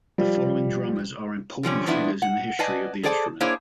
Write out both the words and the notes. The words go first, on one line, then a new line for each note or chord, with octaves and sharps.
The following drummers are important figures in the history of the instrument.
F3 G3
D3 F3 G3 C#4
G2 F3 B3 D4 E4
F#5
B4 D5 D#5 G#5 A5
G#4 A4 C5 D5 G#5 A5
A#3 D4 E4 G#4 C5 C#5